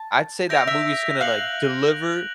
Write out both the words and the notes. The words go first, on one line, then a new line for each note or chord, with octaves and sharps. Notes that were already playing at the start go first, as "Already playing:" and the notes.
I'd say that movie's gonna, like, deliver
Already playing: A5
E5 G6 A#6 D7 F7
E5
F5 F#6 A#6 C#7 F#7